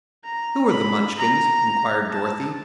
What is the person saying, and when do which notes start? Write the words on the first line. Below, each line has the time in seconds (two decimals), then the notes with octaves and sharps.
"Who are the Munchkins?" inquired Dorothy.
0.25 A#5
0.71 B5
1.18 A#5
2.11 A5